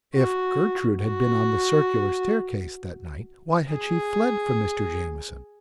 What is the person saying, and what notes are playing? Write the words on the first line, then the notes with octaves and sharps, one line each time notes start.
If Gertrude had been on the circular staircase that night, why had she fled from Mr. Jamieson?
F#4
F#4
G#4